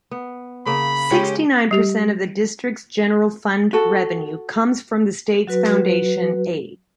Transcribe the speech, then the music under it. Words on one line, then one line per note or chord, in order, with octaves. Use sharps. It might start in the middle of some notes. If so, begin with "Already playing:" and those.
Sixty-nine percent of the district's general fund revenue comes from the state's foundation aid.
B3
C#3 A#3 B5
G#3 C#4 G4
G3 G4
F#4 A4
F#3 F#4 B4